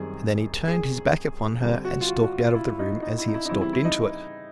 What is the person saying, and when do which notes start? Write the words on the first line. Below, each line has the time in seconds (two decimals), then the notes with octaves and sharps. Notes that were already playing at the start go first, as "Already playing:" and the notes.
And then he turned his back upon her and stalked out of the room as he had stalked into it.
Already playing: F#2 D#3 G3 C4 G#4
0.68 G#4
1.60 D3 G3 C4
1.85 F#4
2.01 F4
2.08 F#4
2.24 F#4
2.39 F4
2.55 E4
2.79 D#4
3.02 D#4
3.18 E4
3.28 D#4
3.34 E4
3.45 D#4
3.49 C#3 E3 G3 C4 E4
3.61 E4
3.73 E4
3.85 D#4